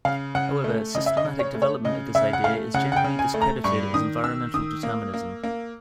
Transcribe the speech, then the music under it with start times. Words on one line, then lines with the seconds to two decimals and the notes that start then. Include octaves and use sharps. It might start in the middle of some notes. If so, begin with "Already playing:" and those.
However, systematic development of this idea is generally discredited as environmental determinism.
0.05 C#3 F5
0.35 C#3 F#5
0.64 A3
0.95 C#3 D#5
1.06 E5
1.17 D#5
1.25 C#3
1.39 C#5
1.54 A3
1.62 C#5
1.85 C#3 D#5
2.15 C#3 E5
2.33 F#5
2.44 A3 F5
2.74 C#3 F#5
2.92 F#5
2.96 G5
3.04 C#3
3.19 G#5
3.34 A3
3.42 A#5
3.64 G2 C#6
3.94 D#3 D#6
4.24 D#3 E6
4.54 D#3 D#6
4.83 A#3
5.14 A#3
5.43 A#3